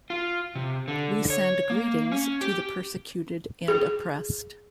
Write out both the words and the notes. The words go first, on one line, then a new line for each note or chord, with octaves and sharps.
We send greetings to the persecuted and oppressed.
F4
C3
D3
C#5
A#3
C#4
G4
G#4